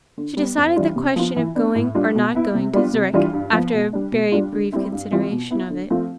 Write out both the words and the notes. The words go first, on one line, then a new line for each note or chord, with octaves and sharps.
She decided the question of going or not going to Zurich, after a very brief consideration of it.
D3
G3 B3
F2
E3 G3 D4 F4
C3
F3 B3 F4
E3
B3 D4
A2
G3 D4 F4
B2
B3 E4
C3
G3 B3 D4 F4
C3
E3 G3 D4 F4
G2
F3 B3
B2
G3 D4
B2
G3 D4 F4
D3
G3 C4 E4
G2
E3 G3 C4 F4
B2
B3 E4
D3
F3 A3 C4 F4